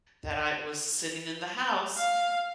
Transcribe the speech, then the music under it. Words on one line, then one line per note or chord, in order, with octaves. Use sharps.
that I was sitting in the house,
F5